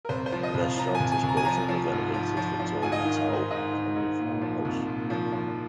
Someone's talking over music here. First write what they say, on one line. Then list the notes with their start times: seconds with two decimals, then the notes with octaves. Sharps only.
The restaurant is built in the renovated, Victorian Towle family farmhouse.
0.05 A#4
0.09 C2 C5
0.26 C5
0.32 F3
0.43 D#5
0.54 C2
0.60 F5
0.77 F3 A#5
0.95 G#5
1.00 C2
1.12 G#5
1.23 C2
1.29 A#5
1.37 G#5
1.45 F3 A#5
1.69 F3
1.92 G#2
2.14 F3
2.37 F3
2.60 F3
2.82 G#2 G#5
2.92 D#5
3.00 F5
3.05 D#3
3.16 F5
3.28 G#2
3.33 C5
3.50 G#2 D#5
3.73 D#3
3.96 G#2
4.19 A#2
4.41 F3
4.65 C2
4.87 A#2
5.10 F3
5.32 F3